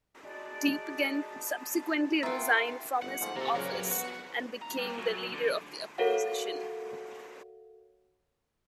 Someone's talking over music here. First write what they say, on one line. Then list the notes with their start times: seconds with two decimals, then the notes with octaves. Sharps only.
Diepgen subsequently resigned from his office and became the leader of the opposition.
0.24 G#3 D#4 F#4 D5 A5
2.23 D#3 F4 G#4 E5 F#5 G5
3.02 G1 F#5
3.21 G#2 F3 A3
3.36 C3 A#3 A4 A#5
3.55 A#2 C#3 F#3 A#4
3.71 G2
3.91 B3 F#4 F#5
4.62 A#5
4.78 G3 A#3
4.98 A#2 F#3
5.32 D3
5.98 F#4 A4 A#4 C#5 F5 F#5